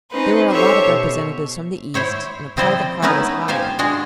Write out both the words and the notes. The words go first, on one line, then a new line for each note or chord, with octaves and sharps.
There were a lot of representatives from the East, and a private car was hired.
C4 C#4 D#4 B4 C5
G4 A4 C5 C#5 E5 C#6
B2
E4 C5 C#5 E5
F3 C4 E4 C5 D5 D#5
B3 C#4 D#4 E4 A#4 B4
F4 G4 C5 F5 G#5
G#3 D4 F#4 G#4